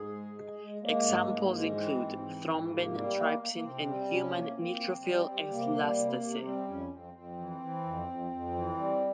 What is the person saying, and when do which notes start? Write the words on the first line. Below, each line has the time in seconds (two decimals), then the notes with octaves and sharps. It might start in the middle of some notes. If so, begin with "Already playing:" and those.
Examples include thrombin, trypsin, and human neutrophil elastase.
Already playing: G#2 G#4
0.12 G#3
0.35 G#3
0.59 G#3
0.82 G#3 A#3
1.05 G#2
1.29 G#2
1.52 G#3
1.75 E3 C4
1.98 G#2
2.22 E3
2.46 G#2
2.69 C3 A#3
2.93 G3
3.16 A#3
3.39 A#3
3.52 A#3
3.63 C3 C4
3.86 G3
4.09 C3 C#4
4.33 A#3
4.56 A#3 C4
4.80 C3
5.03 G3
5.26 G3
5.50 C3 A#3
5.73 G3
5.97 C3
6.20 C3
6.43 G3 C4
6.67 F2 C#4
6.91 F2 C4
7.13 F2 C4
7.38 E3
7.61 E3
7.84 F2
8.07 F2
8.31 F2
8.54 E3
8.78 G3